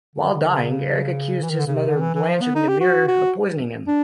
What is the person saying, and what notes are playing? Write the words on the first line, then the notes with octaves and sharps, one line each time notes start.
While dying Eric accused his mother Blanche of Namur of poisoning him.
D3
D3
C#3
E3
D#3
D3
C#3
C3
D3
D#3
E3
E3
F3
B3
D#4
G4
F#4
F#4
D4